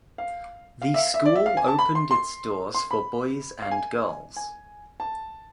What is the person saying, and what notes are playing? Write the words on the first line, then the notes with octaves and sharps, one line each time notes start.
The school opened its doors for boys and girls.
F5
F5
E5
F5
E5
D5
E5
F5
G#5
A5
B5
C6
C6
C6
B5
F5
G#5
G#5
A5